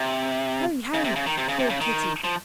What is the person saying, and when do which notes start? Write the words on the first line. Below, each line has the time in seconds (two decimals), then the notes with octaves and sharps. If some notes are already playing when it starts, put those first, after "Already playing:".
"Hurry, hurry!" called Kitty.
Already playing: C3
0.94 C#3
1.04 C3
1.16 C#3
1.26 D#3
1.38 C3
1.49 C#3
1.59 C3
1.70 C#3
1.80 D#3
2.24 F3